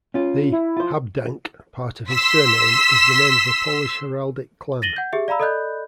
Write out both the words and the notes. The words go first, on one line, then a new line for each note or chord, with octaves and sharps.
The "Habdank" part of his surname is the name of a Polish heraldic clan.
C#4 F4
E4
F4 C5
C6 E6 B6
A6 A#6 D#7 F#7 G7
F#5 G6
G4 G#4 E5
D5 F5 A#5 B5 E6
A4 D5 D#5 B5 F#6 G6